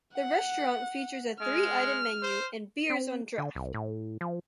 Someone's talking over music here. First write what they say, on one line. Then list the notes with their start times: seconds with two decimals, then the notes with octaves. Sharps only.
The restaurant features a three-item menu and beers on draft.
0.14 F#5
1.40 G#3 F6
2.23 C5
2.90 C4
3.38 D3
3.55 C2
3.74 A2
4.21 F3